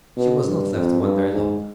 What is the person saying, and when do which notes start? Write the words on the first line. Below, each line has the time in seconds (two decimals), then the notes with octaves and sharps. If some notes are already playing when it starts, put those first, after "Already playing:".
She was not left to wonder long.
0.17 B2
0.45 G2
0.74 F2
1.03 G2
1.31 G#2